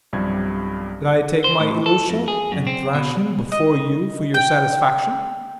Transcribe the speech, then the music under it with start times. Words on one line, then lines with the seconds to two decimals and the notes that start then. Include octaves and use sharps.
That I'd take my Ilusha and thrash him before you for your satisfaction?
0.13 B1 G2 C3 F3 G3 G#6
1.44 C5
1.60 A2
1.86 A4
2.10 F2
2.28 G#4
2.52 F#2
2.67 C4
2.95 B2
3.52 D#5
4.34 G5